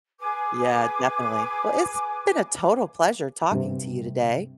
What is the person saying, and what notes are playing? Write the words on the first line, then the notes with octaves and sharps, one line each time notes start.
Yeah, definitely. Well, it's been a total pleasure talking to you today,
G#4 B4 G#5 D6
G2 C3